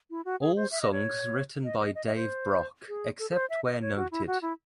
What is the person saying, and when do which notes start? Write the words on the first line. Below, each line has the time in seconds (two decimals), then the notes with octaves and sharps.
All songs written by Dave Brock except where noted.
0.10 E4
0.25 F#4
0.41 G#4
0.56 C5
0.71 E5
0.82 D#5
0.92 C#5
1.64 D#5
1.80 D#5
1.95 D#5
2.06 D#5
2.16 C5
2.88 G#4
3.19 A4
3.30 A4
3.35 C5
3.50 E5
3.65 D#5
3.81 C#5
3.96 F#4
4.11 E4
4.27 F#4
4.42 E4